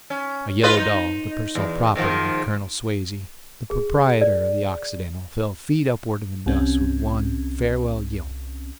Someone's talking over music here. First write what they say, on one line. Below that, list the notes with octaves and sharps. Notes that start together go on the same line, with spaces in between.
A yellow dog, the personal property of Colonel Swazey, the proprietor of the Occidental, fell feet upward in the dust with one farewell yelp.
C#4
F4 B4 D#5
D#4
E2
G#2 D#3 F3
G#4
D5
C2 C4 C#4